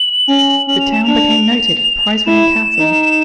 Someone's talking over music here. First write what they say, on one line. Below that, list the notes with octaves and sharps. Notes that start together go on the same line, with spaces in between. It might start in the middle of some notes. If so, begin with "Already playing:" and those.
The town became noted for prize-winning cattle.
Already playing: F#7
C#4
C#4 F#7
F7
E7
D4 F7
E4 E7
D#4